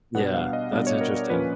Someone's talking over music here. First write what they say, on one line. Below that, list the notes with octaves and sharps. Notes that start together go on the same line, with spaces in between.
Yeah, that's interesting.
B2 G3 B3 D4 F#5
F5
D#5
B2 G3 B3 D4 D5
C#5
A#4
A#4
A#2 F3 A#3 C#4 B4